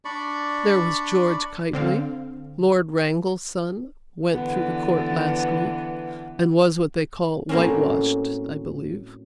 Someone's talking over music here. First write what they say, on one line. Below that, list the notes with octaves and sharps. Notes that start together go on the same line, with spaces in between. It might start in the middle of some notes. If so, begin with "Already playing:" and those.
There was George Kitely, Lord Ragland's son, went through the Court last week, and was what they call whitewashed, I believe.
D4 D5 B5 C#6
D3 C4 F5
D3 E3 B3
A2 F#3 A#3 C4 C#4